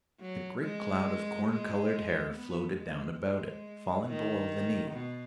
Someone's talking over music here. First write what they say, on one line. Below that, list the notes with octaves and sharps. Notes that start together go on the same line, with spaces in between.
The great cloud of corn-colored hair floated down about it, falling below the knees.
F#3
G#3
G#3
B3
G#3
G#3
D#3
B2